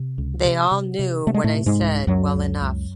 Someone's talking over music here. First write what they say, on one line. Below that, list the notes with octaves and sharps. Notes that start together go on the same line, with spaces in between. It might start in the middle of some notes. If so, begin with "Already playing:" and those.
They all knew what I said well enough.
Already playing: C3
C#2
C3
C3
C3
C3 A3
G#3
A2 A3
C3
G#2 G#3
C2
C#2 F#2 F#3
C#2
C#2